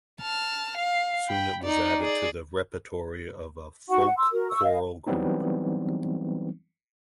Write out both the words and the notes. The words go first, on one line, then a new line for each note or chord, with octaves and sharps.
Soon it was added to the repertory of a folk choral group.
A5 F6
F5
G5 B5
D#4 D5
G#4 D5
D#4 F#4 F#5 C#6
F#5
C6 E6
F#4 A#4
C#6 E6
D#5 F5
E3 F#3 G3 B3 C4 D#4